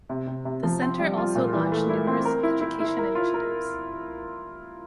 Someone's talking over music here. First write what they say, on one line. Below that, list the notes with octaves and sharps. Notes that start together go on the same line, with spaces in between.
The centre also launched numerous education initiatives.
C3
C3
C3
F3
C4
G3
F4
A#2
E3
A3
E4
C4
A#4
E4
E4
E4
A#4
F4
A#4